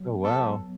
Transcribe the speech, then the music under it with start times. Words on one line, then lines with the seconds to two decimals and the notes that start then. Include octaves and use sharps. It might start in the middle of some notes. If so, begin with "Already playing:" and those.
Oh, wow.
Already playing: F#3
0.09 B3
0.24 B3 A4
0.40 F#3